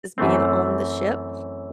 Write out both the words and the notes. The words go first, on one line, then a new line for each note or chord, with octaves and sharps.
is being on the ship
F#2 E3 A3 C4